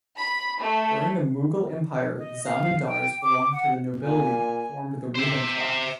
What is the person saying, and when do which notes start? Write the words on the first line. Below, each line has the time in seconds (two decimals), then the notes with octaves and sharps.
During the Mughal Empire, zamindars belonged to the nobility and formed the ruling class.
0.18 B5
0.60 A3
2.18 D#5
2.45 F5
2.86 G5
3.21 D6
3.53 F#5
4.03 A#2 G#5
5.15 C5 E5